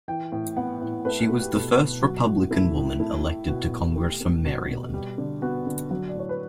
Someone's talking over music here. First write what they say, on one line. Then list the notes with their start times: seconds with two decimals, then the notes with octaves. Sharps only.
She was the first Republican woman elected to Congress from Maryland.
0.08 E3 G5
0.32 A2
0.57 B3 F#5
0.81 A2
1.05 A3 B4
1.28 A3 F#4
1.41 G4
1.54 B2 A4
1.78 B2
2.02 F#3 F#4
2.26 A2 F#4
2.51 A3 E4
2.75 A2
3.00 A3 E4
3.23 A3
3.48 B2 F#4
3.72 B2
3.96 A3 G4
4.21 A3
4.45 B2 F#4
4.69 B2
4.94 G3
5.18 D3
5.42 B3 F#4
5.66 D3
5.90 F#3 F#4
6.09 D5
6.15 A2 C#5
6.29 B4